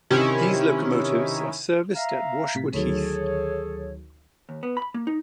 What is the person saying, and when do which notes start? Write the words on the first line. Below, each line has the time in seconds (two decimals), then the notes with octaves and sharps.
These locomotives are serviced at Washwood Heath.
0.10 C3 D#3 C#4 E4
1.95 E5 F5 A#5
2.55 A2 C3 B6
2.74 D2 D#3 F#3 G#4 A4 C#5
4.49 D#2
4.63 B3
4.77 B5
4.94 A#3
5.07 D#4